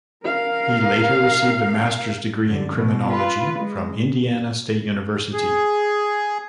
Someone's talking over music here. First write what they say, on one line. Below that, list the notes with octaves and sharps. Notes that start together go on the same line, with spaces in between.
He later received a master's degree in criminology from Indiana State University.
A#4 F5
F#2 D3
B2 E3
F4 B4
G#3
G#4